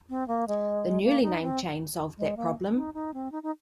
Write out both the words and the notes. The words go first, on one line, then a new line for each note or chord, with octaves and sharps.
The newly named chain solved that problem.
C4
A#3
G#3
A#3
D#4
C4
G#3
A#3
D#4
D#4
C4
D#4
D#4